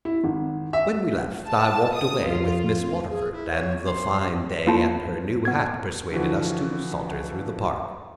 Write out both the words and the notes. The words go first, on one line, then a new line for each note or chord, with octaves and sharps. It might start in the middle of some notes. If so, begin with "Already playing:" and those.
When we left I walked away with Miss Waterford, and the fine day and her new hat persuaded us to saunter through the Park.
E4
G#1
E5
A5
D#6
F2 F4
G#4
E4
C#5
C6
A#3 E4 F4 A5
B3 G#6
D3 E3 F3 F#4